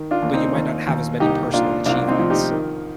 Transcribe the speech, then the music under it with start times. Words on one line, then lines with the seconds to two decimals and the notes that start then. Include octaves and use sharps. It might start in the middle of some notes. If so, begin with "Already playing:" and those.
but you might not have as many personal achievements,
Already playing: D#3
0.11 D4 F4
0.22 D#2
0.33 C4 D#4
0.55 D#2
0.87 D#2
1.20 C2 D#4 G4
1.53 A#2 D4 F4
1.86 C2 D4 F4
2.08 C4 D#4
2.19 F3
2.30 D#4 G4
2.51 D#3